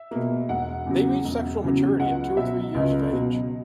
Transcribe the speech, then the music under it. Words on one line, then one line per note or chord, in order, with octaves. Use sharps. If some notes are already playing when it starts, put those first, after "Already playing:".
They reach sexual maturity at two or three years of age.
Already playing: E5
B2 A#3
E1 F#5
E2 C#3 F#3
E1
E2 C#3 F#3
C#2 F#5
B2 F#3 E5
C#2 D#5
B2 F#3